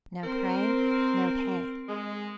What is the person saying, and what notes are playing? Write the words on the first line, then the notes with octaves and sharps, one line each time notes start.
No prey, no pay.
C4 A#4 C5
G#3